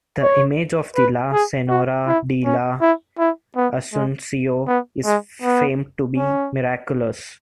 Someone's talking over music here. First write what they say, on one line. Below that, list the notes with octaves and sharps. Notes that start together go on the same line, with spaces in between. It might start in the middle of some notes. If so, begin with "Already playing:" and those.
The image of the "La Señora de la Asuncio" is famed to be miraculous.
C#5
B4
G#4
F#4
E4
C#4
E4
E4
B3
G#3
B3
G#3
B3
C#4